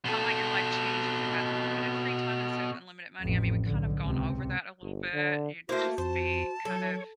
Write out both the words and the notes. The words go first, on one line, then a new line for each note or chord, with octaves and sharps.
How might your life change if you had unlimited free time instead of unlimited money? I mean, we've kind of gone over that a little bit. You'd just be kind of
B2 A4
A1 F2
B1 D3
C#2 C3
G1
D3
A3 A#3 E4 F#4 C5 D6 A#6
F2 C5 A5
F#3 A4 C#5